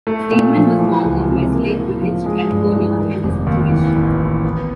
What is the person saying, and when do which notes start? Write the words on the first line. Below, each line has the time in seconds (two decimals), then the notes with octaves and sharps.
Seidman was born in Westlake Village, California, and is Jewish.
0.07 A3
0.32 A#2
0.56 F3
0.80 E3
1.04 C#2
1.29 C3
1.54 A#3
1.77 A2
2.01 F3
2.26 G#3
2.50 G2
2.75 E3
2.99 D#3
3.23 F1
3.47 D#2
3.71 E3
3.96 A1
4.20 A2
4.45 B3